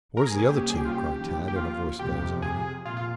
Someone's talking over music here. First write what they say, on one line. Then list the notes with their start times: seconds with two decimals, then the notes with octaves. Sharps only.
"Where's the other two?" cried Tad in a voice of anxiety.
0.17 A#4
0.27 C3 G3 A#3 C#4 G#4
0.39 G#4
0.49 G4
0.70 G#4
0.77 G4
0.85 F4
0.92 G4
1.12 D#2 C#3 F3
1.48 G4
1.56 F4
1.99 F2 C3 F3 G4
2.42 G#4
2.84 A#2 F4
2.97 F4